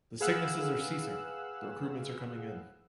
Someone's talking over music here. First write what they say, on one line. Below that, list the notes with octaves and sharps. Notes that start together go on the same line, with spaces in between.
The sicknesses are ceasing; the recruitments are coming in.
G#4 B4 F5 F#5 E6 F#6